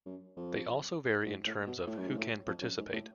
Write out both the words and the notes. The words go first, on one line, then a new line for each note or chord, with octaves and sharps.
They also vary in terms of "who can participate".
F#2
F2
G#2
A2
B2
A2
F#2
G#2
A2
F2
F#2
G#2
A2